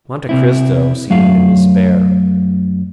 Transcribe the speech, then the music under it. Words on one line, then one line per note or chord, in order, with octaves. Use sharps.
Monte Cristo seemed in despair.
C3 C4 E4
F#2 F#3 A3 F5